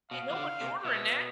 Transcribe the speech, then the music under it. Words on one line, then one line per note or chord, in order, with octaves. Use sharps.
Ain't nobody ordering that."
B2 F5
E3
D3
C3
B2 E5